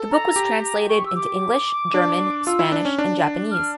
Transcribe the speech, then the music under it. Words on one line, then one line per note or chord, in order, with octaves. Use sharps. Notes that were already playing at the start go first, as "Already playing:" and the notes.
The book was translated into English, German, Spanish and Japanese.
Already playing: A4
A#5
G4
C#6
E6
D6
D4
F4 E6
E4
D4
C#4
D4
F6